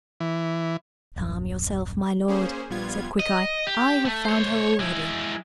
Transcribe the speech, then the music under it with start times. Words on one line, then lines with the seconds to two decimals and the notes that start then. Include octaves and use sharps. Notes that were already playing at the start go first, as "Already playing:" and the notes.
'Calm yourself, my lord,' said Quickeye. 'I have found her already.
0.20 E3
1.16 D#1 A#1 F#2
2.28 A#3 C#4 G#4 C5
2.70 A#1 G3 B3 F4 G#6
3.20 D#5
3.67 G4
4.06 A3
4.25 C5 C#5
4.79 G#3 E4